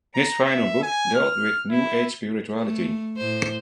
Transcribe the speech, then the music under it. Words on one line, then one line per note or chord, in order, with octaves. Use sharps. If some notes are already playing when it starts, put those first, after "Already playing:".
His final book dealt with New Age spirituality.
A#5
E5
G#5
F6
E4
A3
A2 C5